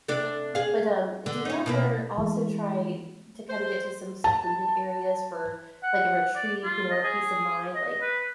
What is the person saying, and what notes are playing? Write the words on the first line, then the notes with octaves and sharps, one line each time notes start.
But, um, do you ever also try to kinda get to some secluded areas for, like, a retreat, you know, or peace of mind, like,
C3 D4 A4
G#4 F5
D3
C#4 D#4
B2 A#3 E4
E3 G#3
C5
A5
F#5
D5
F4
D#5
G#4
D#5
B4